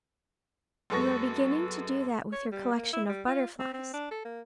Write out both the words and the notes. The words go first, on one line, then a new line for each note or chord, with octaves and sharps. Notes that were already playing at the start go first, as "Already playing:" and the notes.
You are beginning to do that with your collection of butterflies.
F#2 G#3 B3 A4 C#6 A#6
C#5
G3
A#3
E4
G3
F4
C4
C4
D4
A4
A#3